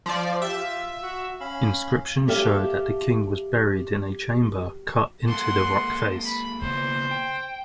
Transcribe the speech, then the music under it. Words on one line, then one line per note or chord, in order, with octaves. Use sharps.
Inscriptions show that the king was buried in a chamber cut into the rock-face.
F3 D5
F4
G4 E5
F4
F#4
C#4 F5 B5
G4 A4 E5 F5
G#3 A#3 A4 F#5 C6
B5
C#3 A#3 B3 C5
G5